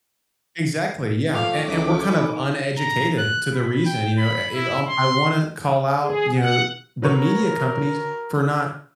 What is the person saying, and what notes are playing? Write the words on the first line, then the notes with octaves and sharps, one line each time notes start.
Exactly, yeah, and and we're kind of uneducated to the reason, you know? I I um, I wanna call out, you know, the media companies for not
F3 A3 F5 G5 C#6 D6
C#2 F#3 D#4 D6
D#3 D#5 G#5 B5
A#5
F#6
B5
G5
B5
E4
C6
G#4
F#5
F#3 A#4 B4 C#5